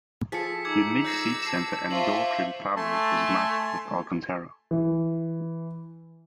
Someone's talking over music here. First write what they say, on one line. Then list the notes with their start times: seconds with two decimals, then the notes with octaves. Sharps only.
Unique seat center and door trim fabric was matched with Alcantara.
0.32 F3 G#4 A4 B6 C#7
0.65 D#4 D6 E6 G#6
1.05 E6 G6 A#6 C7
1.46 A5 C7
1.91 F4 C5 E5 C#6 C7 F#7
2.77 A3 G#5 A5 C6
4.71 E3